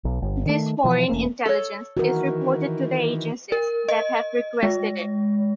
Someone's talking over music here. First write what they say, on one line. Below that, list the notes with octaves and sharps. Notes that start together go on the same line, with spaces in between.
This "foreign intelligence" is reported to the agencies that have requested it.
B1
G1
D#3 A3
B2 E3 F3
E1 A3 A#3 C#4
A4 C#5
D#3 E3 F#4 A#4
A#4
D#5
G#3